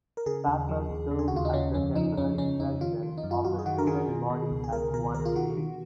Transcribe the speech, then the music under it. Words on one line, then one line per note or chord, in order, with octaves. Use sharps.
Pappas served as the temporary president of the student body at one stage.
A#4
C#3 G#4
D#2
F3
D#2
C#3
G#4
F#4
D#2 F4
D#4
C#3 C#4
F2 C#4
F3 D#4
F2 C#4
C#3 C#4
F2 D#4
D#3 F4
D#3
D#4
F#2
F4
F#2 F#4
G#4
D#3 F#4
A#4
D#3 G#4
B2
B2
C#2
G#4
C#2 A#4
B2 A#4
B2 A#4
F4
D#3 F#4
D#3